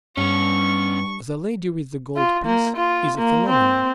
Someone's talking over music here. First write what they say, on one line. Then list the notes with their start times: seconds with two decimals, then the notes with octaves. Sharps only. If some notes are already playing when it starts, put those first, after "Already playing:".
"The lady with the gold piece" is a phenomenon.
0.17 G2 B3 C#4 C#6
2.17 F4
2.45 A#3
2.76 F4
3.18 A#3
3.49 C4